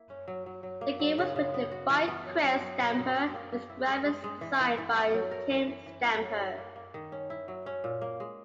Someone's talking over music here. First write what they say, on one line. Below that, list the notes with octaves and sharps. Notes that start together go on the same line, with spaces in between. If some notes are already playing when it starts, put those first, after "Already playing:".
The game was written by Chris Stamper with graphics designed by Tim Stamper.
Already playing: A#3 E4
C#4
F#3
F#3
F#3
A#3
F#3
C#3
C#3
B3
F#4
E3
B3
F#3
F#3
F#3
B2
B2
B2
A#3
A#3
E4
G#3
G#3
G#3
E3
E3
E3
B3
F#3
A#4
E3
E3
E3
E4
C#4
E4
A#3
A#3
D#3
C#4
E4
F#3
C#4
A#2
A#3
G#3